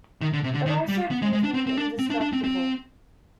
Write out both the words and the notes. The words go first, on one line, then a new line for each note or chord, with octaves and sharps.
It also appears near indestructible.
D#3
D3
C3
D3
D#3
G3
B3
G#3
G#3
D4
C4
C4
D4
C4
D4
D4
C4
C4